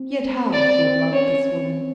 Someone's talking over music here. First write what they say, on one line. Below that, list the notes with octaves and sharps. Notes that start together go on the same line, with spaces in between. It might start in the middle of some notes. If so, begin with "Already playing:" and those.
Yet how he had loved this woman!
Already playing: C4
D5
C#4 C#5
C4